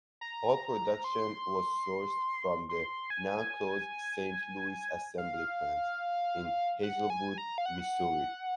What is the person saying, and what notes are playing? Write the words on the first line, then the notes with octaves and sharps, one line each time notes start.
All production was sourced from the now-closed Saint Louis Assembly Plant in Hazelwood, Missouri.
A#5
A#5
C6
C6
G#5
F5
F#5
G#5
G#5
A#5
F5
F#5